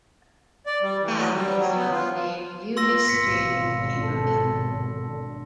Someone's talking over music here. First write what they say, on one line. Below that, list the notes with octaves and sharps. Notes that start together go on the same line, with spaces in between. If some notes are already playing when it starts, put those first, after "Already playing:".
That is how the name Bugis Street came about.
D5
G3
E3
F#3
G3
F#3
B3
F4
F4 C6 E6 A#6
G#1 B2 B6 C#7
A4
D3